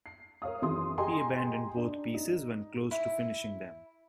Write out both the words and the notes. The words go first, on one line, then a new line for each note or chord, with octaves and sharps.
He abandoned both pieces when close to finishing them.
C7
A#4 C#5 F5 D#6
F#2 D#3 E3 G#4 C6 D#6
G4 G#4 D#5 G#5 A#5 C6
D4
D#4
E4